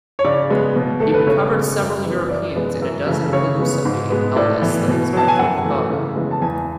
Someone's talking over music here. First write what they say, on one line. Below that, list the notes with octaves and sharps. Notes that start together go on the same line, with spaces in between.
He recovered several Europeans and a dozen Calusa being held as slaves by Tocobaga.
C#5
C#3 D5
G#3 B3
B2
A3 A4
B4
C#3 C#5
G#3 B3
F#2
E3 B3
F#2 D5
E3 G#3 B3
F#2
C#3 E3 A3
C#3 C#5
G#3 B3
G#2
G#3 B3
A2 D5
E3 B3
B2
F#3 B3 A5
G#5
F#2 F#5
E3 A3
C#3
E3 G#3 B3
A5
E2 G#5